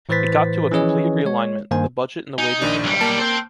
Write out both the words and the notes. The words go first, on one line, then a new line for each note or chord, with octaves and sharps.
It got to a complete realignment, the budget and the wages were cut.
A2 E3 B4 C5 A6 B6
E3 F3 C#4 G#4 C#5 D#5
G#3 C#5
G2 D#3 A#3 C5 G#5
D#4 G#5
A#1 D#3 D4
B1 G3
A#3 A5
C5 G5